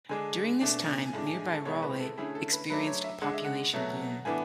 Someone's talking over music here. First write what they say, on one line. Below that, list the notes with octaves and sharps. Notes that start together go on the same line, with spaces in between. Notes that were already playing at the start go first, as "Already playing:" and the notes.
During this time, nearby Raleigh experienced a population boom.
D3 G#3 D4 G#5
B2 A3 D4
G#5
A2 G#3 D4 A5
G#5
G#5
A4
B2 G#3 B3 E4 C#5
B4
A4
D3 A3 C#4 E4 G#4
A4
B4
F#3 A3 D4 B4
C#5
E5
D3 G#3 D4 F#5
E5
F#5
B2 F#3 A3
A2 E3 B3 D4 G#5